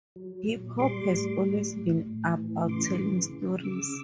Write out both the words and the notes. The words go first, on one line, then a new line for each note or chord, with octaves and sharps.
Hip hop has always been about telling stories.
F#3
A#2
G3 C6 D6
A2
A2
A2
A2
E3
C#3 C6 D6
C#3
C#3
C#3 D6 E6